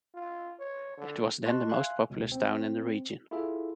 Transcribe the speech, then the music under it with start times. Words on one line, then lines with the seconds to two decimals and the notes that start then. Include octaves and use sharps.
It was then the most populous town in the region.
0.14 F4
0.60 C#5
0.97 D3
1.45 D#5 A5 C6 C#6 F#6
1.70 E5 F5 G#5 C6 F#6
2.10 C#2 B2
2.32 C4
3.31 E4 F4 G#4 A4 E5